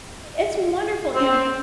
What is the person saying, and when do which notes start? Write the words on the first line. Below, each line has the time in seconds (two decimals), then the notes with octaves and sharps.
It's wonderful, you know,
1.15 C4